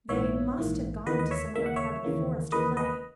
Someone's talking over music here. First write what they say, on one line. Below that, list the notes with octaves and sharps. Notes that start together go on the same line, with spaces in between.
They must have gone into some other part of the forest to play.
A#1 G#2 E3 A#3 C#5 E5
A#1 G#2 E3 A#3
D#2 C#3 E3 A#3 B4 D#5
D#5
C#5 E5
D#2 C#3 E3 A#3 E5
F#5
C#5 E5
D#2 C#3 E3 A#3
D#2 C#3 E3 A#3 B4 D#5
B4 D#5